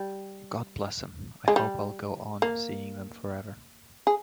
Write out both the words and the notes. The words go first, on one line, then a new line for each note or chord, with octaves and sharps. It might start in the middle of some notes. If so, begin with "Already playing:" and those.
God bless 'em, I hope I'll go on seeing them forever.
Already playing: G3
G#3
G3
A#3
G#4